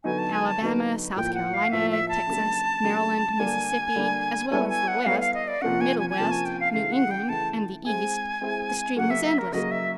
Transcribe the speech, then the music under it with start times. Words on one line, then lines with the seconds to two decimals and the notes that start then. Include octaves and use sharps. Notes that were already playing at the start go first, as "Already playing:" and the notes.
Alabama, South Carolina, Texas, Maryland, Mississippi, as well as the West, Middle West, New England and the East-the stream was endless.
0.04 D3 F#3 B3 D#4 G#5
0.19 A5
0.32 G#5
0.46 A5
0.60 D3 F#3 B3 D#4
1.16 A2 F3 A#3 G5
1.34 F#5
1.54 F5
1.71 A2 F3 A#3 E5
1.90 E5
2.09 A5
2.27 C#3 F#3 A#3 D4 G4
2.83 C#3 F#3 A#3 D4 G4
3.39 D3 G3 A#3 D4 G#5
3.95 D3 G3 A#3 D4
4.50 G3 B3 E4 A4 C#5 G#5
4.69 G#5
4.88 F#5
5.06 G3 B3 E4 A4 C#5 F5
5.20 F5
5.34 D#5
5.48 D5
5.62 C3 F3 A#3 C#4 F#5
5.81 G#5
5.99 G#5
6.10 G#5
6.18 C3 F3 A#3 C#4 A5
6.31 G#5
6.45 G5
6.60 F5
6.73 C#3 E3 A3 F5
6.92 F#5
7.11 G5
7.29 C#3 E3 A3 A5
7.85 G#3 C4 E4 G#4 G#5
8.41 G#3 C4 E4 G#4
8.97 C#3 F#3 A#3 F#5
9.10 E5
9.24 E5
9.38 A#4
9.52 C#3 F#3 A#3 D#5
9.71 E5